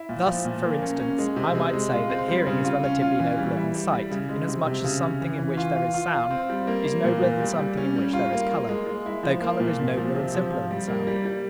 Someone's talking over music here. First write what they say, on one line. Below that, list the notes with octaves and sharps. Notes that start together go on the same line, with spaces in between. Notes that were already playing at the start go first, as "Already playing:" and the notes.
Thus, for instance, I might say that hearing is relatively nobler than sight, inasmuch as something in which there is sound is nobler than something in which there is color, though color is nobler and simpler than sound.
Already playing: E4
A#2
F3
A#2
A#3
C#4
C#4
G#3
C3
G#3
G#3
F4
C4
G3
C#3
F4
C#4
F4
E3
G3
E4
G3
G3
C#3
G#3
C3
C3
C#3
C#4
E3
E3
F4
F4
F4
F4
C4
G3
A#3
A#3
A#2
A#2
G3
G3
C#4
G3
F4
A#3
F4
G#3
G#3
E4
F3
A#3
A#2
A#2
F3
C3
F3
F3
G3
A#3
G3
G3